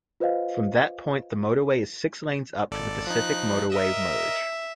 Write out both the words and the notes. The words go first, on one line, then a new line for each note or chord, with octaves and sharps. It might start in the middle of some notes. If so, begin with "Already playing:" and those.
From that point the motorway is six lanes up to the Pacific Motorway Merge.
F4 B4 C5 D#5 F5
G#1 A4 D5
F3 D#4 F#6
A#4 D#5 E5